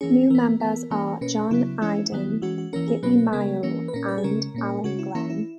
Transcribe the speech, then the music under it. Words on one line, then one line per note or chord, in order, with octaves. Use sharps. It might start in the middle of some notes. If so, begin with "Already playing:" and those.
New members are John Idan, Gypie Mayo and Alan Glen.
E3 A#3 C#4 G#4
E3 B3 A#4
E3 B3
E3 A#3 C#4
B2 A#3 C#4 B4
C#3 F#3 B3 E4
E3 G#3 C#4 E4
D#3 F#3 B3
E3 G#3 C#4 F#4
F#4
E3 A#3 C#4 A#4
G#4
B2 F#3 A#3 C#4 B4
B4
C#3 G#3 B3 A#4
E3 A#3 C#4
B4
A#2 A#3 C#4 A#4
B4
G#4
C#3 G#3 C#4 A#4
A#2 A#3 C#4
C#3 G#3 C#4 F#4
E4
E3 A#3 C#4 E4
E4